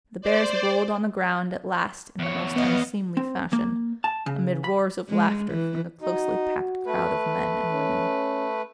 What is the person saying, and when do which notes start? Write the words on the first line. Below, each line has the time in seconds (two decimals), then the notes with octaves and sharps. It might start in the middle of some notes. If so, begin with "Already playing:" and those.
The bears rolled on the ground at last in the most unseemly fashion, amid roars of laughter from the closely-packed crowd of men and women.
0.21 C5 D5
2.19 E2 C#5
2.56 B3 D#5 F5
3.17 C4
3.53 A#3
4.04 A5
4.26 C#3
4.64 B5
5.09 G#3
5.51 E3
6.02 D#4 F#4
6.86 A3 B4
7.72 C#4